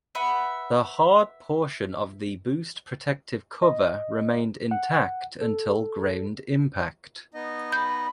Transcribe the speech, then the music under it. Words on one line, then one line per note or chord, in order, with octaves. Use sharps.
The hard portion of the boost protective cover remained intact until ground impact.
B4 E5 F#5 B5
D#5
F#5
A4
B3 D#4 D#5
B5 G6